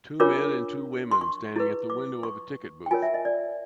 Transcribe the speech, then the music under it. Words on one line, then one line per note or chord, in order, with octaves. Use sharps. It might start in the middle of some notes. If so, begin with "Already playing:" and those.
Two men and two women standing at the window of a ticket booth.
D4 F4 A#4 C#5 D6
C6
C#6
E4 G#4 B4
D6
C#6
G5
F4 A#4 C#5 G#5
E5
D#5
D5